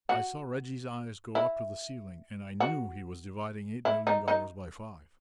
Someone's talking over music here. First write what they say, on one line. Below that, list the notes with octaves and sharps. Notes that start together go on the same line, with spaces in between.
I saw Reggie's eyes go up to the ceiling and I knew he was dividing eight million dollars by five.
F#4
E4
F#4
E4
D#4
D#4